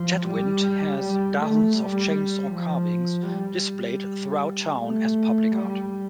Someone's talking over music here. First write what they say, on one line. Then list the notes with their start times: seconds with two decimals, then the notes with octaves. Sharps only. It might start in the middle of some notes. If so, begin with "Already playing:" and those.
Chetwynd has dozens of chainsaw carvings displayed throughout town as public art.
Already playing: F3
0.27 G3
1.02 G3
1.40 A3
1.78 G3
2.54 F3
3.29 G3
4.80 A3
5.56 G3